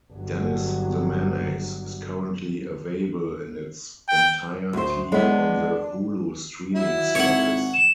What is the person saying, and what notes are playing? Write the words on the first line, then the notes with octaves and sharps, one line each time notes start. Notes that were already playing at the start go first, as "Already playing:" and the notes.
"Dennis The Menace" is currently available in its entirety on the Hulu streaming service.
G1 F#3
G5
D2 C5
A2 G#3 B3
D4
F#3 E4
G#1 C#5 F#5
E7